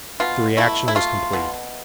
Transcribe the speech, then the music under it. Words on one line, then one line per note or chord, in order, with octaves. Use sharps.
The reaction was complete.
B2 F4
A3 E4
E4
A3 F4
B2